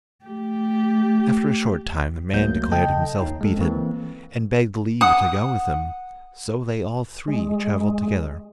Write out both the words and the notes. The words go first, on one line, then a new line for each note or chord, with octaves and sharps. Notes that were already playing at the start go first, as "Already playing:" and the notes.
After a short time the man declared himself beaten, and begged leave to go with them; so they all three travelled together.
A3 G4
C#2 F#3 A3 A#3 G6
C#3 A4 D#5 G5 A5 G6
D#2 D#4
G#3 A4
E3 A#3 C4
F#5 D#6
G#3